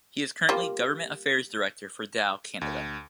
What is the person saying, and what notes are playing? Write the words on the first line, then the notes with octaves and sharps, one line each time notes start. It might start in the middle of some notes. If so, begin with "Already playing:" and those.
He is currently Government Affairs Director for Dow Canada.
G3 A#3 F4
D2